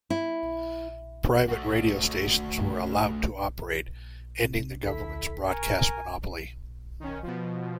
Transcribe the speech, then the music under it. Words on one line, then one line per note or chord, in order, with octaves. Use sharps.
Private radio stations were allowed to operate, ending the government's broadcast monopoly.
E4
A3 F#4
C3
D2 E4 A4 B6
A#4 G#5 C#6
D#3 C#4
B2 F3